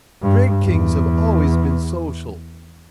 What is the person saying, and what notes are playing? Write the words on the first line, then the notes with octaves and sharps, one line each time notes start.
Great Kings have always been social.
G2
E2